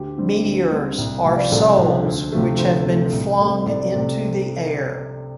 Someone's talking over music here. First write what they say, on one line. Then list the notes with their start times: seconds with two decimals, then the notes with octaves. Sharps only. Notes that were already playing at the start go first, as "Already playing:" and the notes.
Meteors are souls which have been flung in to the air.
Already playing: D2 G4
0.18 D3 G3 C4
0.45 D2
0.71 D3 G3 C4
0.98 C2
1.25 C3 F3 C4 F5
1.36 D5
1.44 C5
1.52 C2 A4
1.78 C3 F3 C4
2.05 D2
2.32 C3 F3 A3
2.59 D2 C5
2.86 C3 F3 A3
3.13 C2
3.39 C3 A3 C4
3.66 C2 D5
3.80 D5
3.93 C3 A3 C4 C5